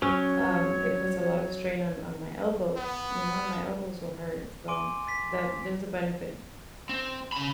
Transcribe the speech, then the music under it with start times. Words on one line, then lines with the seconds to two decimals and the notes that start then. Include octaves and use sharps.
um, it puts a lot of strain on on my elbows, you know? And my elbows will hurt. So that there's a benefit
0.02 F#3 C#4 C#5
2.77 B3
4.68 G#5 C6 D6 D7
5.07 A6 B6
6.89 C4
7.32 C#3 B5